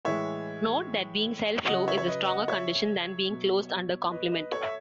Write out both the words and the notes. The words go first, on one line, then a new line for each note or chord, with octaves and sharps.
Note that being self-low is a stronger condition than being closed under complement.
A2 E3 G#3 C#5 E5
C#3 F#3 D#5 F#5
C#5 E5
C#5
B4 D#5
D#5 F#5
C#5 E5
B2 F#3
B4 D#5
B4 D#5
A4 C#5
E5